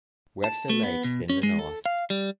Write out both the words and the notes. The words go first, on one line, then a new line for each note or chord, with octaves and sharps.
Webster Lake is in the north.
A5
A3
B3
B2
C#4
G#3
A4
F5
G3